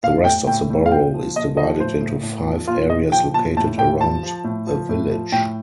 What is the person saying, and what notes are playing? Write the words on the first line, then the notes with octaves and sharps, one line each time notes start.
The rest of the borough is divided into five areas located around a village.
A2 F5
A2 G5
A2 G5
A2
F5
A#2 G5
F3
A#2 D#5
F3 D#5
A2 C5
A2
A2
F3
A#2 F4
A#2 D#5
F3 G5
A#2 A5
A2 A5
A2 G5
F3 A5
F3
A2
F3
A2
F3
A2 G5